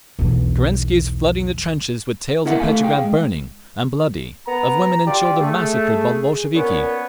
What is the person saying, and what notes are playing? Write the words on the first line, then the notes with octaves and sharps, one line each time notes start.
Kerensky is flooding the trenches with tales of Petrograd burning and bloody, of women and children massacred by the Bolsheviki.
B1 E2
B3 E4 A#4 D#5 E5 F#5
A3 A4 E5 F5 G#5
G#4 F5 G5
G#3
B3 A#5
F4 G4 D5
A3 G#4
A#2 B3 C#4